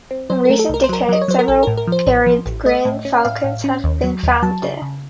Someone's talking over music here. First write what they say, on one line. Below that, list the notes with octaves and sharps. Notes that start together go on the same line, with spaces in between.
In recent decades, several peregrine falcons have been found there.
C4
F#3 C5
A3 A#4
A4
C2 A#4
C5
F#3 A#4
F#3 D#5
C#5
F#3 C5
A#4
A1 A4
A2 A#4
A#4
F3 C5
A1
F3
A1
A3 D#5
A2
C#4
A2 F5
A2
C#4
D#2
F#3
D#2
F#3 A5
C#3
C#3